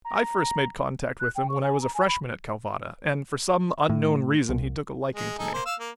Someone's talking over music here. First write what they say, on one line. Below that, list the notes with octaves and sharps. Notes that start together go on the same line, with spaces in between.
I first made contact with him when I was a freshman at Calvada, and for some unknown reason he took a liking to me.
A#5
F#6
G5
C#6
G#5
A#5
G#5
B5
A2
C2
G#3
D#4 G#4 A4
A#3 C5
F5 E6
A#3